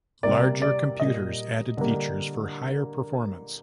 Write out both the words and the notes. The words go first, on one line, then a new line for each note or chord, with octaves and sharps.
Larger computers added features for higher performance.
C3 G3 A#3 D5
D5
A#2 G3 A#3 D#5
D3 G3 A#3